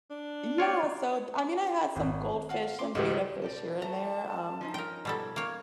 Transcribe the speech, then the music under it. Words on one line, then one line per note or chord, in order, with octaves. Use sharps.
Yeah, so, d I mean, I had some goldfish and betta fish here and there, um,
D4
F4 C#5 D5
G#1
F4 F#4 F5
C#4 C6 D6
C#2 G#2 D#3 A3 F#4 G4
B2 G4 D5 A5
A3 A5 A#5
F3 C#4 D#4
A#4 G5
B2 G3 A4 G#6
A#3 C#5